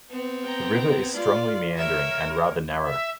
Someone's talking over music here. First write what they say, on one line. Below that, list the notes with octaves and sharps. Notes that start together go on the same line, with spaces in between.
The river is strongly meandering and rather narrow.
B3 C4
G5 A#5
F4 D5
A#4 C#5 E5
E5